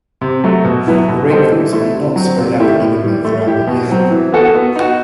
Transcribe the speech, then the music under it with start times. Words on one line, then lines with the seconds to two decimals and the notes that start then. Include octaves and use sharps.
The rainfalls are not spread out evenly throughout the year.
0.21 C3
0.44 F#3 A3
0.65 B2
0.87 F#3 B3 E4
1.08 B2
1.30 G3 D#4 A4 C5
1.52 E3
1.73 A3 E4
1.95 C3
2.16 F#3 C4
2.38 C3
2.60 D#3 A3 E4 G4
2.81 A2
3.03 E3 G3
3.25 A3
3.46 E4 G4
3.67 B2
3.90 F#3 C4
4.11 E3
4.32 B3 F#4 A4
4.54 B3
4.76 D#4 F#4